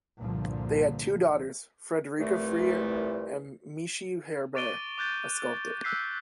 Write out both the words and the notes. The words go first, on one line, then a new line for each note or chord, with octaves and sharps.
They had two daughters, Frederica Freer and Michie Herbert, a sculptor.
C2 G2 A#2 D3 F3
C2 A#2 E3 A3
C#6 D6 A6 D7 D#7 G7
D6 F#6 G6 A6
E6 F#6 G6 B6 C7